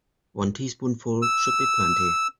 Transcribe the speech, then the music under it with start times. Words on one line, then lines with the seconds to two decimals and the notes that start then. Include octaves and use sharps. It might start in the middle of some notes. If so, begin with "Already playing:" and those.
One teaspoonful should be plenty.
1.22 E6